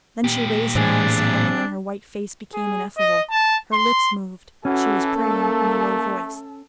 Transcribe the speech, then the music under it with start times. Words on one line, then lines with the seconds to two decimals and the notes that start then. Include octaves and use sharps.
Then she raised her arms to heaven, and her white face became ineffable; her lips moved; she was praying in a low voice.
0.24 A#2 G4
0.75 A2 E3 C4 D4 G#4
2.54 G#4
2.98 D#5
3.31 A5
3.73 C6
4.65 E3 C#4 F#4 A4
5.16 A3 A#3